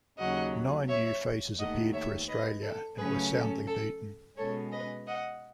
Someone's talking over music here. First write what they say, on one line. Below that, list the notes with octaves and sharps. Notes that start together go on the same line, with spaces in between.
Nine new faces appeared for Australia, and were soundly beaten.
D#2 C#3 F#3 D#5 F#5
C#5 E5
D#2 D#3 A3 D#5 F#5
C#5 E5
B4 D#5
A4
C#3 F#3 A3 C#4 G#4 B4
A4
A4
B2 G#3 C#4 A4 C#5
B4 D#5
D#5 F#5